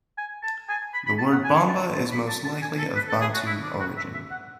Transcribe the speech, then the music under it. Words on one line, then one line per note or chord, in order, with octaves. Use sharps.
The word "bomba" is most likely of Bantu origin.
G#5
A5
G#5
B5
B5
A5
F#5
G#5
A5
A5
B5
A5
A5
G#5
A4
B4
A4
G#4
F#4
E4
D4
F#4
E5
E5
F#5